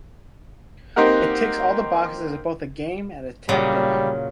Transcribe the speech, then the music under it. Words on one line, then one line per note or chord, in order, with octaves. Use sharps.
It ticks all the boxes as both a game and a tech demo.
A#3 C4 D#4 G4 A#4 F#5
A#2 C#3 F#3 G3